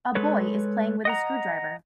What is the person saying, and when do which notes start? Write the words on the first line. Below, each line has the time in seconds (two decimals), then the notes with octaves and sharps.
A boy is playing with a screwdriver.
0.15 G#3 A4 B4 C#5
1.05 D#5 F#5 A#5